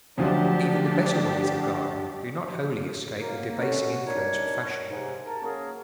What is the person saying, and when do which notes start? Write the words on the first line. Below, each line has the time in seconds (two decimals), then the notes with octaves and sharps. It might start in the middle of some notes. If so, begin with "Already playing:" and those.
Even the better ways of gardening do not wholly escape the debasing influence of fashion.
0.17 D2 F3 F#3 D4 G4
3.21 F#3 A#3 A#4
3.58 C#4 F#4 A4
4.06 D4 D#4 A#4 C#5
4.91 G#2 C3
5.26 A#4 A5
5.42 F#3 A#3 C#4 G#4 A#4